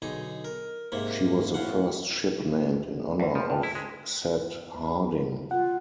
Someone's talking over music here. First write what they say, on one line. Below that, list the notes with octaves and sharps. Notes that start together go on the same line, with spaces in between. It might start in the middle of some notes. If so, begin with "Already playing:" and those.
She was the first ship named in honor of Seth Harding.
B1 D3 D#4 G#4
A#4
G#2 C3 A#3
A2 F5 F#5
D2
F3
G2
E4
G#3
F4 F#5